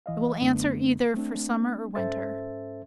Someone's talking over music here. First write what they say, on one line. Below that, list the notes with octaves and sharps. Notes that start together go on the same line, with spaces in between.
It will answer either for summer or winter.
C2 E3 D#5 F5
F#2 D3 A3 B3 D4
A3 C4 D4
G#2 C#4 A4 C5 E5 A6